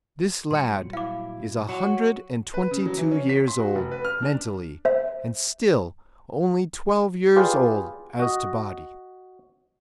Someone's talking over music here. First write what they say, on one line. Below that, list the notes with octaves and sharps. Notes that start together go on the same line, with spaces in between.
This lad is a hundred and twenty-two years old, mentally, and still only twelve years old, as to body!
A#2 F#3 G3 C6 C#7
E4 F5 D6
F#3 F#4
B4
C#3
F#3
E3
C#4
B6
C6
F#4
F1
B4
F6
D4
C5 E5
F4 G4 G#4 B4 D5 F5
F#4 D#5